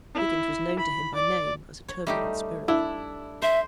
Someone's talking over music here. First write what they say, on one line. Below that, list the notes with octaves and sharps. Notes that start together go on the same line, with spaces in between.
Higgins was known to him by name as a turbulent spirit.
E4
B5
D5
C#5
G3 A3 D#4 G4
D4 E4
C5 E5